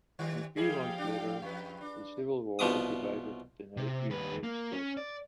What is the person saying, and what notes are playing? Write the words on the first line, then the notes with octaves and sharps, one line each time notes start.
A few months later, the Civil War divided the United States.
D#3 G3
F3 G3 G#3 G#4 F5 G5
G3 D4
F2 B4
D4
C2 B2 F3 B3 D6 D#6
C3
D#2 B4
A#3
C#4
D5